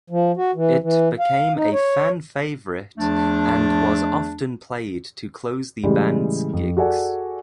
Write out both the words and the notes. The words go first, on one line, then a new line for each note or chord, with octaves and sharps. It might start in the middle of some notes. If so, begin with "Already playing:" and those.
It became a fan favourite and was often played to close the band's gigs.
F3
F#4
E3
E3
F5
D#4
C#5
E2 F3 A3 D4
A2 C#3 E3 G3 G#3
F2
F#4 G#4 A4 D5 F#5 G#5